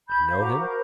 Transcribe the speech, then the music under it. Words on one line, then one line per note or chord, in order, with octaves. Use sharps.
"I know him?"
B5 G6
C5 F5
F#4 A#5 C#6 D6
A#4 C5